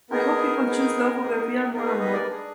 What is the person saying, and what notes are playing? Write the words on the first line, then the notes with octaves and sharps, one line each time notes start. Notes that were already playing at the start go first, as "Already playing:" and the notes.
I hope people choose love over fear more and more.
B3 D#4 G#4 A#4
B3 D#4 G#4
B3 D#4 G#4
B3 D#4 G#4 A#4
B4
B4 D#5
A#4 D5
D4 G#4